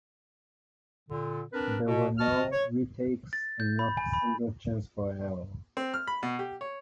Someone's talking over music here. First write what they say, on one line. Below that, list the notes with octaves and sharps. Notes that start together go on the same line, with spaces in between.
There were no re-takes and not a single chance for error.
A#2 D3
C4 D4 A#4 B4
B2
F#4 D#5 A5 F6
C#5
A6
G6
B5
G#5
B5
C4
F6
B5
B2
G4
C#5